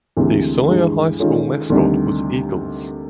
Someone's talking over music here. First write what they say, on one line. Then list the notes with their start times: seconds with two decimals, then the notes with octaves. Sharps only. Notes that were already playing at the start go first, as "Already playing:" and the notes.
The Sawyer High School mascot was Eagles.
0.17 D2 C3 E3 G#3
0.68 G2 E3 G#3
1.19 D#3 G#3 C#4 F4 A4
1.70 D2 C3 D#3 G3